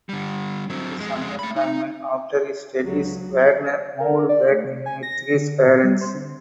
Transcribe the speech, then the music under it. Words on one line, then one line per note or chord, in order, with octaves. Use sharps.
Due to his unemployment after his studies Wagner moved back in with his parents.
D3 G3
F#3 C4
F2 G#3
A3 B5
D#4
C#2 F#3
A#4
D5
A3
C3
G#5
A#6
D3
A#2
G3
C5
D3